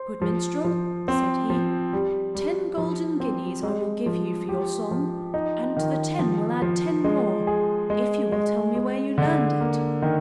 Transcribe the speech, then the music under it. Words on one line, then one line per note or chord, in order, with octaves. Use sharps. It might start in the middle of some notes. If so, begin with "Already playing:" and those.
"Good minstrel," said he, "ten golden guineas I will give you for your song, and to the ten will add ten more if you will tell me where you learned it."
Already playing: C5
F3
F3
C4
F3
G3
G3
F3
C4
G#3
F3
G4
F3
D#4
D#3
F3
F3
G#3
G#4
G#3
G#3
G#3
D3
A#3
D#3